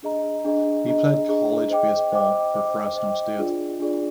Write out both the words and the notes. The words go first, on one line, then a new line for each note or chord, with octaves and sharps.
He played college baseball for Fresno State.
D4 G#4 D#5 A#5
D4 G#4 D#5 A#5
D4 G#4 D#5 A#5
D4 G#4 D#5 A#5
C5 D#5 G5 D6
C5 D#5 G5 D6
C5 D#5 G5 D6
C5 D#5 G5 D6
D4 F4 G#4 D5
D4 F4 G#4 D5